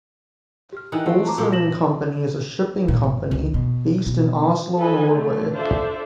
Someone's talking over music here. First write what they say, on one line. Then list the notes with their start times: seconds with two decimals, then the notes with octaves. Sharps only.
Olsen and Company is a shipping company based in Oslo, Norway.
0.73 G4 F6
0.92 D#3 E3 F#5
1.06 A3 C4 F#5
1.25 A5 A#5 D6
1.38 A#2 F3 G4
1.52 A#6 E7 F#7
2.88 A#2
3.04 G1
3.31 C#2
3.54 B2
4.07 B2
4.78 A4 B4 D#5 G#5
5.11 D3 A3
5.53 D4 F4 A4 C5 D5 E5